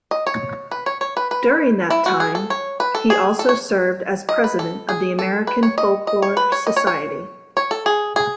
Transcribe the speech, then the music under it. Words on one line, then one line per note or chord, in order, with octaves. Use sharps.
During that time, he also served as president of the American Folklore Society.
D#5
C#5
B4
C#5
C#5
B4
B4
E4
F#4
G#4
A4
C#5
B4
A4
G#4
A4
C#5
D#5
B4
A4
G#4
A4
B4
C#5
D#5
D#5
C#5
B4
C#5
D#5
C#5
C#5
C#5
A4
G#4
G#4